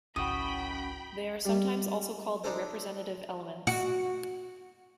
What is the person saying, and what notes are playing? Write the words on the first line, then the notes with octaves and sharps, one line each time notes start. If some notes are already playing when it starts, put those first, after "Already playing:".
They are sometimes also called the representative elements.
G#1 C#2 F#2 E4 F#4 G5 B5 D#6
G3
D4 D#4 A4 C5
F#4